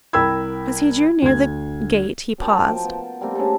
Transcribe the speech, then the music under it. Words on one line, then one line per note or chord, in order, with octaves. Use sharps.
As he drew near the gate he paused.
C2 A#4 G5 B5 E6 G#6
D2 G#6
F#2 A#4 G5 A5
F3
B3
G3 A3 A#3 C4
C#3 C4 D4 A4